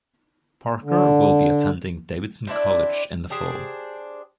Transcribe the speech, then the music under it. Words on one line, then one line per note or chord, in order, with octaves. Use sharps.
Parker will be attending Davidson College in the fall.
D3
C4 D4 E4 D5
D4 G4 G#4 C5